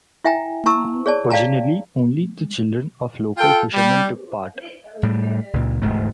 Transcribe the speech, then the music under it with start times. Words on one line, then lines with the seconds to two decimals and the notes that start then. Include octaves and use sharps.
Originally only the children of local fishermen took part.
0.24 E4 E5 G5 G#5 A#5
0.66 E4 A5 A#5 C#6 E6
1.06 G#4 C#5 D5 A5
1.30 D5 F5 G5 A5 A#5
3.37 F4 A4 G5
3.74 G3
5.03 A2 G3
5.53 C#2 A#2
5.82 E1 D2 G#2 A3